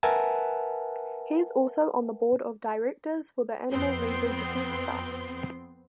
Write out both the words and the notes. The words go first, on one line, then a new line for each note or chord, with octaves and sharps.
He is also on the Board of Directors for the Animal Legal Defense Fund.
A#4 B4 E5 F#5 G#5 A5
F2 B3 C4 C6